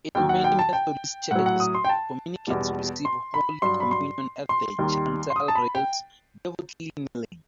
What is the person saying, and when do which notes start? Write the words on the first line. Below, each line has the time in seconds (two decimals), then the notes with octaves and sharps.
In many Methodist churches, communicants receive Holy Communion at the chancel rails, devoutly kneeling.
0.15 D#2 D#3 F#3 G5
0.29 F#5
0.44 G5
0.59 A5
0.73 G5
1.31 A2 F#3 F#5
1.46 F#5
1.60 D#6
1.75 C6
1.85 G5
1.89 A5
2.47 E2 B2 G3
3.05 C6
3.34 B5
3.62 G2 F#3 C6
3.80 B5
3.91 C6
4.49 C6
4.78 D#2 D#3 G3
5.30 C6
5.36 D#6
5.48 A5
5.55 B5
5.75 G5